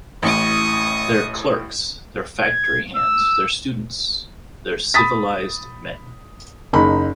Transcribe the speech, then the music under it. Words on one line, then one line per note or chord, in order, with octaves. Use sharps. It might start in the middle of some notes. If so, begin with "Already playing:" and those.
They're clerks, they're factory hands, they're students, they're civilised men.
A1 A2 C#6 D#6
G#6
E6
B5 D#6 A6 B6
F#1 D#4 B5